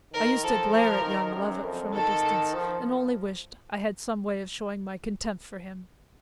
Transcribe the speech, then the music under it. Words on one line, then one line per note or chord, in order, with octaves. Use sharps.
I used to glare at young Lovett from a distance and only wished I had some way of showing my contempt for him.
D#3 A#4
F3 A4
F3 A#4
D#3
F#2
F2
D#3 A4
F3